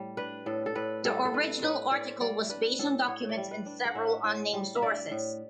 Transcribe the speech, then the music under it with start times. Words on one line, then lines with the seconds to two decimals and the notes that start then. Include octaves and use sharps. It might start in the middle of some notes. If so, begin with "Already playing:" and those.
The original article was based on documents and several unnamed sources.
Already playing: A2 G3
0.17 D4 B4
0.46 A2 A4
0.66 A4
0.75 A2 B4
1.05 G3 A4
1.25 A4
1.33 D4 B4
1.62 A2 B4
1.91 A2 D5
2.21 G3 D5
2.49 D4 B4
2.79 A2 A4
3.08 A2 C#5
3.29 D5
3.37 G3
3.51 B4
3.66 D4
3.85 F#5
3.95 A2 E5
4.24 A2
4.53 G3
4.76 E5
4.82 D4 D5
5.11 A2